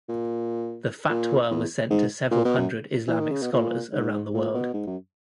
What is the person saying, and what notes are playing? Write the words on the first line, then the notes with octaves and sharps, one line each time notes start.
The fatwa was sent to several hundred Islamic scholars around the world.
A#2
A#2
E2
G#2
A#2
B2
F#2
E3
D#3
C#3
B2
A#2
G#2
A#2
B2
G#2
F#2